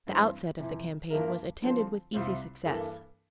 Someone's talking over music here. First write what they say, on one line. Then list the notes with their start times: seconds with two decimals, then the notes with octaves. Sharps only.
The outset of the campaign was attended with easy success.
0.07 G2 E3 G3 C4
0.58 F2 C3 E3
1.10 G2 F3 A#3 E4 A#4
1.62 D3 F3 C4
2.14 C2 C3 G3 C4 F4
2.65 G2 E3 A#3 D4 A4